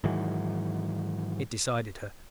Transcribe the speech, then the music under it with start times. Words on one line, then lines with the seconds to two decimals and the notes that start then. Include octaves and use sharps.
It decided her.
0.04 G#2 D#3 E3 F#3